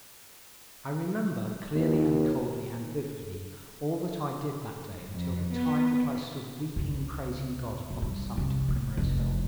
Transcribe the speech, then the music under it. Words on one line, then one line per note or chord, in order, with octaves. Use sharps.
I remember, clearly and coldly and vividly, all that I did that day until the time that I stood weeping and praising God upon the summit of Primrose Hill.
D#2
F2
B3
C#2
B1
G3
C2
A#3
F1 E3